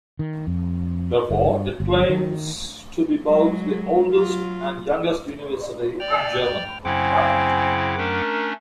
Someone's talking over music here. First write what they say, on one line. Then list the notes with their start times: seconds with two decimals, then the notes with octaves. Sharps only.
Therefore it claims to be both the oldest and youngest university in Germany.
0.19 D#3
0.47 F2
1.30 F#1
1.46 G2
1.80 G1
2.09 D#3
3.24 F#3 G#3
4.12 F#3 F4
6.00 D5 G5 F6
6.85 F#2 C#3 C4 E4 F#5 G#5 D6
7.98 A3 C#4 D4 A#4